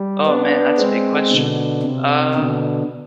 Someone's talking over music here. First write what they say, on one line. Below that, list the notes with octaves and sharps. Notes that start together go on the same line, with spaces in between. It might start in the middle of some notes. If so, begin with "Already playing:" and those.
Oh, man, that's a big question. Uh,
Already playing: G3
B3 D4
G#3 C4
B2 D3
C3
B2 D3